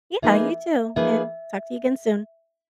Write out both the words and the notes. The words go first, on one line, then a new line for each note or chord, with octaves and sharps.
Yeah, you too, and talk to you again soon.
F3 A#3 D#4 G#4 B4 E5
F3 A#3 D#4 G#4 B4 E5